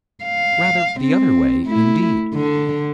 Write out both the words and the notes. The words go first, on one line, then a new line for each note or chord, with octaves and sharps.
Rather the other way, indeed.
F5
C4
A3 E4
D3